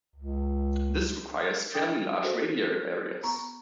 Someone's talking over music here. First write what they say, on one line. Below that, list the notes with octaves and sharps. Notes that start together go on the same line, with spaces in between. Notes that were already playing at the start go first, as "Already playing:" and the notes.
This requires fairly large radiator areas.
C#2
D4 G5 D#6 G6 A6
F#4 A4 A#4 C5 D#5
B3 A#5 C#6